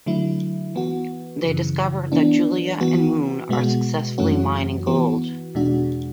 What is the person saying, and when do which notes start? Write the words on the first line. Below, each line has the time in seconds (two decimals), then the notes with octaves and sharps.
They discover that Julia and Moon are successfully mining gold.
0.06 D3 F#3 A3 E4
0.75 E3 B3 F#4
1.43 F#2 C#3 E3
2.12 E3 B3 D4
2.81 E3 B3 F#4
3.49 B2 G#3 B3 F#4
4.18 F#2 E3 A3 C#4 F#4
4.86 E3 B3 F#4
5.55 E2 B2 G#3 D4 F#4